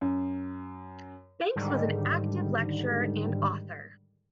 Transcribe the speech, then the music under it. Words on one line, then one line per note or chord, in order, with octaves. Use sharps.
Banks was an active lecturer and author.
F#2
G#2 D3 D#3 G3